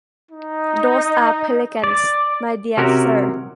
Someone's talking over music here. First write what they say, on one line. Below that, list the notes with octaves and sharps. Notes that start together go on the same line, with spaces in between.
Those are pelicans, my dear sir.
D#4
D5
C3 C#4 F#4 G4 A#4